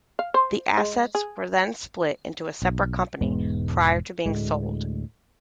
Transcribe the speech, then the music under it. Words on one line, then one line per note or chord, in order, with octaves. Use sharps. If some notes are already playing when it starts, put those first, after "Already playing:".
The assets were then split into a separate company, prior to being sold.
F5
C5
G#3
G#4
B1
E1 G#2 G#3 B3
D2 A2 G#3